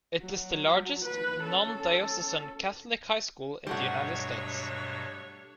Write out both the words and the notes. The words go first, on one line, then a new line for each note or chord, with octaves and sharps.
It is the largest non-diocesan Catholic high school in the United States.
F#3
B4
C#4 A4
G2 B2 F#3 G3 A3 D4 F#4 C#5